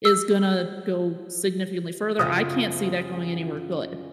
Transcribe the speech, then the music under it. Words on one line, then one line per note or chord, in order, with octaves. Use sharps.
is gonna go significantly further. I can't see that going anywhere good.
E6
F#2 C#3 F3 D#6